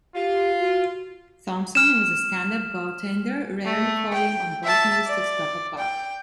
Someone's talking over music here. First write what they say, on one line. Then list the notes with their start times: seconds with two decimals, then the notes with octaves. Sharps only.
Thompson was a stand-up goaltender, rarely falling on both knees to stop a puck.
0.15 F4 G4
0.59 F#4
1.75 F6 E7
3.65 A3
4.14 G5
4.64 E5 A5
5.06 D5
5.78 G5